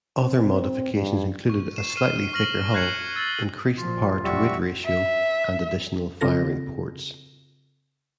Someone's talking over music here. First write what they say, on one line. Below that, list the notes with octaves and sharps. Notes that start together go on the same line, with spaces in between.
Other modifications included a slightly thicker hull, increased power-to-weight ratio, and additional firing ports.
C4
G2
C#6
C7 E7
F6 C7 D#7
C#6 F6 A#6 F#7
F6 F#6 G#6 C7 C#7 F#7
E6 A6 G7
A#2 F3 F4
A1 F2 A#2 G3 F#4 E5 C#6
E5
C#3 C4 F4 A4 A#6